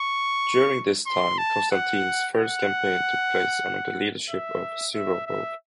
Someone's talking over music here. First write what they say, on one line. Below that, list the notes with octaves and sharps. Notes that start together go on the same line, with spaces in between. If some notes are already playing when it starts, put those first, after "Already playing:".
During this time, Konstantin's first campaign took place under the leadership of Suvorov.
Already playing: C#6
C6
A5
F#5
F#5
E5
E5
E5